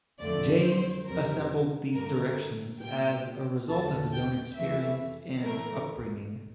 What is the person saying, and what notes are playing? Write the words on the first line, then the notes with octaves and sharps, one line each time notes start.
James assembled these directions as a result of his own experience and upbringing.
F2 D3 F3 A3 D5
C5
F2 C3 G3 A#4
G2 D3 A3 A#4
A#2 G3 G5
E2 D3 A3 A5
G5
F2 E3 A3 E5
A2 E3 A3 A#4